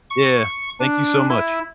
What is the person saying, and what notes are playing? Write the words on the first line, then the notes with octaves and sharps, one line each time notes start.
Yeah. Thank you so much.
C#6
D4
E4